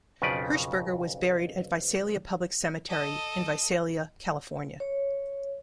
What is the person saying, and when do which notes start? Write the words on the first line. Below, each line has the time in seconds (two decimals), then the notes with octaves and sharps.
Hershberger was buried at Visalia Public Cemetery in Visalia, California.
0.22 B1 F2 C#3 F3 B4 D5
2.88 A4 D#5
4.80 C#5